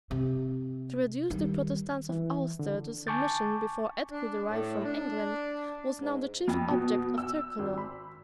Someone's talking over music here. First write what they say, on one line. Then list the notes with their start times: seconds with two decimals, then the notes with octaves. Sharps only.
To reduce the Protestants of Ulster to submission before aid could arrive from England was now the chief object of Tyrconnel.
0.11 C3
1.30 D#3 G3
2.09 E3
2.59 D3
3.07 G#5 A5 C#6 D6 G6 A6
4.11 D4
4.50 A2
4.84 D4
5.99 G#2
6.48 F2
6.70 B2
7.18 E6
7.59 G#1
7.78 B5